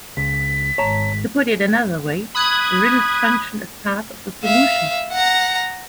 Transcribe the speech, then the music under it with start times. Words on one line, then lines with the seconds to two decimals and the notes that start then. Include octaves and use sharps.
To put it another way, the riddles function as part of the solution.
0.17 C#2 B6
0.78 G#1 C#5 A5 A#5
2.35 B5 D#6 F#6 G#6
4.44 E5 F5
5.13 F#5 A#5